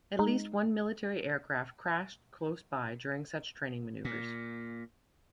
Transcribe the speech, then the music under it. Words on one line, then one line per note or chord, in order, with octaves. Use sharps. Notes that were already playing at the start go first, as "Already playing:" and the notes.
At least one military aircraft crashed close by during such training maneuvers.
G#3 D#4
A#2